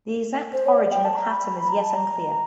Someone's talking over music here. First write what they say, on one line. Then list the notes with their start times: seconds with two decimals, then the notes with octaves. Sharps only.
The exact origin of "Hattem" is yet unclear.
0.53 C5
0.66 C#5
0.78 D5
0.92 G5
1.05 A5
1.17 A#5
1.30 B5
1.68 A#5
1.82 A5
1.94 A#5